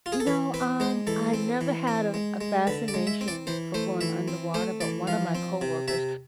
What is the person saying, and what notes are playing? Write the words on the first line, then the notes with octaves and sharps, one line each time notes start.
You know, um, I never had a a fascination for going underwater, but one of my coworkers,
F4
G#4
A4
E3 B4
C4 B4
G#3 C5
E3 A4
C4
E3
C4
G#3
G#3
D3 B4
D5
G#3
E5
C4
D5
E3 C5
A3 C5
E3 E5
C4
A3 C5
E3 D5
F3 F5
C4
C3
C3 E5